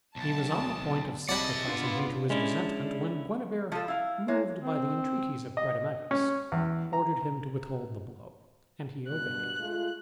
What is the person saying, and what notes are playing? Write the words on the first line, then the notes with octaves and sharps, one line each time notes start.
He was on the point of sacrificing him to his resentment, when Guenever, moved by the entreaties of Brademagus, ordered him to withhold the blow, and he obeyed.
B1 A5
D2 D5 D#6
C2 E4 G#4 D5 D#5 F#5 A5 B5
B3 D4 F4
G#3 C#4 D4 E4
F3 A4
E4 F5
G#3 A#3 E4 C#5 E5
C4
D#5
C#4
E2
A#5
G2 B2 F#6
G#3 A3 F4